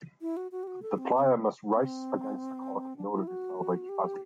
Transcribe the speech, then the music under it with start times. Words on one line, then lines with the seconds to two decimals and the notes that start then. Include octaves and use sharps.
The player must race against the clock in order to solve each puzzle.
0.21 E4
0.37 F#4
0.52 F#4
0.63 G4
0.67 F#4
0.82 A4
0.98 C4
1.13 C4
1.75 C4
2.97 D4
3.12 E4
3.27 F#4
3.89 G4